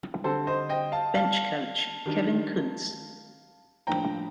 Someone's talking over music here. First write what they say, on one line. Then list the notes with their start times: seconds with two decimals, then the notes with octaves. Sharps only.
Bench Coach: Kevin Kuntz.
0.24 D3 G3 C4 A4 C5
0.47 C5 D#5
0.69 D#5 G5
0.92 F5 A5
1.15 F5 A5
2.06 D#3 G3 D4
3.87 A2 F3 A#3 D4 G5 A#5